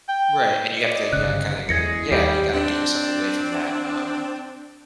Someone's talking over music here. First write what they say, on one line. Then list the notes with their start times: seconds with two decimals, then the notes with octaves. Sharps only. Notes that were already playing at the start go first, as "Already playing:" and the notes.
Right, and you have to you got kinda gotta, yeah. And you gotta get yourself away from that, um,
0.09 G5
0.77 D5 D#5 C#7
1.13 G1 C#3 F#6
1.69 E2 E3 G#3 G#4 G#6 A#6 C#7
2.11 D#2 G3
2.54 C4 D4